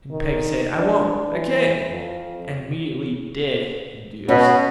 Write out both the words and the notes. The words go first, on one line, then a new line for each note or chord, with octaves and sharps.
And Peggy said, "I won't--I can't," and immediately did, the goose.
D#3
D4
E3
F2
B2 C#4